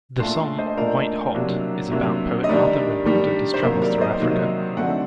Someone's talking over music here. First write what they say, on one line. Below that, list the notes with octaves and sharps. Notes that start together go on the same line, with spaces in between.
The song "White Hot" is about poet Arthur Rimbaud and his travels through Africa.
A#2 A3 D4 A5 C6
C5 D#5
D#5
A#2 A3 D4 A#4 D5
C3 F#3 A#3 D4
C3 F#3 A#3 D4
D#5
D#3 G3 D4 A#4 D5
D#3 G3 D4
C5
C3 D#3 F#3 A#3 A#4
A#4 D5
C5 D#5
C3 D#3 F#3 A#3
D3 F#3 A3 C4 D5 F#5